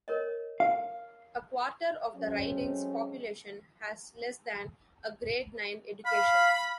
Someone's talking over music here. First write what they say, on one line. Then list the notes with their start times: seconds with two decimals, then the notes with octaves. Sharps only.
A quarter of the riding's population has less than a Grade Nine education.
0.08 A#4 C#5 D#5
0.60 F5
2.16 F#3 G#3 A3 C4 C#4
6.06 F5 B5